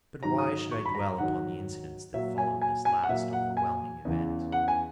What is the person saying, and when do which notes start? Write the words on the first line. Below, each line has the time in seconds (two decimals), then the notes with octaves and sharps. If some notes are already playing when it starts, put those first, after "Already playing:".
But why should I dwell upon the incidents that followed this last overwhelming event?
0.23 G#2 D#3 F#3 A#5
0.38 D#6
0.71 C#6
0.86 B5
0.95 A#5
1.18 G#2 D#3 F#3 F#5
2.14 A#2 F#3 E5
2.38 G#5
2.62 G#5
2.85 G#5
3.03 F#5
3.09 A#2 F#3 E5
3.33 F#5
3.57 G#5
4.05 E2 C#3 E3
4.52 F#5
4.68 G#5